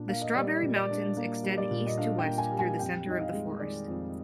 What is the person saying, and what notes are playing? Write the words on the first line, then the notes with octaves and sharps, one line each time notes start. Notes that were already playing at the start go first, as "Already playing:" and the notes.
The Strawberry Mountains extend east to west through the center of the forest.
Already playing: A#2 D4
A#3 F5
D#5
G3 D5
A#2
D5
D4
A#3
G3
D5
A#2
D#5
D4 F5
G5
A#3
G#5
G3
G#5
F2 G5
D#4 D#5
F5
G#3
D#3 D5
F2